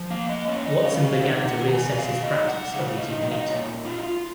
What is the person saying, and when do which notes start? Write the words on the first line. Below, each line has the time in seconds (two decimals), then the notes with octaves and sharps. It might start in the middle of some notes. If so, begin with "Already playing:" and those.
Watson began to reassess his practice of eating meat.
Already playing: F3
0.11 A#3 F5
0.29 D#5
0.48 C#4 C#5
0.66 D#5
0.85 C#4 F5
0.97 D#5
1.04 F5
1.22 D#4 F#5
1.48 F#5
1.61 D#3
1.68 A#5
1.73 G#5
1.97 B2 F5
2.23 D#5
2.35 D#4
2.48 F#5
2.72 C#3 F5
2.98 D#5
3.10 D#4
3.22 D#5
3.31 F5
3.39 D#5
3.48 A#2 C#5
3.85 D#4 F4
3.99 D#4
4.03 F4